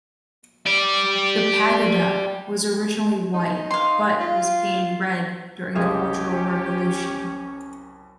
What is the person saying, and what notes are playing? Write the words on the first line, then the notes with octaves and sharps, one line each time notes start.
The Pagoda was originally white, but was painted red during the cultural revolution.
G4 D5
D#4
F5 C6
F4
F#1 C2 C3 G#3 C#4 G4 G#4 F5